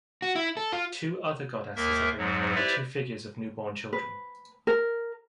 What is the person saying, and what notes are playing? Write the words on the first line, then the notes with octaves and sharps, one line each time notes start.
Two other goddesses are bringing away two figures of newborn children.
F#4
E4
A4
F4
D#2 A#3 A#4 E5
F2 G#2 F#3
E4 G4 B4 C5 D5 E5
B4
A#4